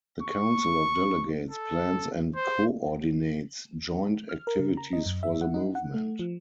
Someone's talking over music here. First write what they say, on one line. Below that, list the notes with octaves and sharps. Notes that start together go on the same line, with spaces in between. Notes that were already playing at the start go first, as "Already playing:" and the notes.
The Council of Delegates plans and coordinates joint activities for the Movement.
C#6
A4
C5
F6
A#4
C#3
A#5
D#5
F#2
E5
F#5
D#4
F#5
A3
F3